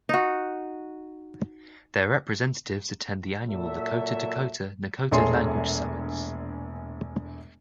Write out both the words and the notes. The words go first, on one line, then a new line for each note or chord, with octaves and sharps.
Their representatives attend the annual Lakota, Dakota, Nakota Language Summits.
D#4 F#4
A#2 F#3 A4 E5
E1 A#1 A3 G#4 C#5 C6